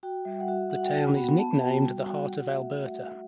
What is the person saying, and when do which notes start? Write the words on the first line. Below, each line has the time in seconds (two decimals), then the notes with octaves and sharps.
The town is nicknamed The Heart of Alberta.
0.03 F#4 G5
0.25 G3 E5
0.40 F#5
0.48 F#4 E5
0.70 F#4 F#5
0.84 G5
0.93 F#4 F#5
1.17 B3
1.38 B3 A5
1.61 F#4 G5
1.84 G3
2.06 F#4
2.29 F#4 F#5
2.52 A3 E5